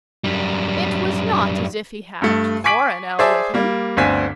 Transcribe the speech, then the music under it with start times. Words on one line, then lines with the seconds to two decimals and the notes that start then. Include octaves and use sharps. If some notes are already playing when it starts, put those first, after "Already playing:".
It was not as if he had Coronel with him.
0.24 F#2 G3
2.22 G2 A3
2.64 G#5 C#6 D6 B6 D7 F#7
3.19 G#4 C5 D5 E5 A5 D6
3.54 G3 A#3
3.97 G1 D2 C4 D4 G#5 B6